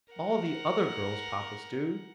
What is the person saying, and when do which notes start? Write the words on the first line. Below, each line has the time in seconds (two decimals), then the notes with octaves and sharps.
"All the other girls' Papas do."
0.12 A#4 F#5